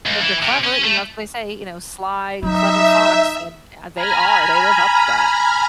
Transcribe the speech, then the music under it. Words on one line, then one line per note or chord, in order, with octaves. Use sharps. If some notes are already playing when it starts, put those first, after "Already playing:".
It's like they're clever, you know, as they say, you know, sly, clever fox and and they are, they live up to that.
C#2
E3
C3
C#4
A3
F#3 D#4 E5
G#5 A#5 B5 F6